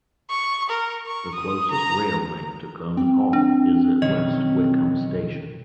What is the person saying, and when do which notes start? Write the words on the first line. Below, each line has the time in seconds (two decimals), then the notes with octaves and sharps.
The closest rail link to Coney Hall is at West Wickham station.
0.30 C#6
0.70 A#4
1.06 C#6
1.35 D#6
1.71 A#5
2.97 C4
3.33 D4
4.02 B1 D#3 C#4 D#5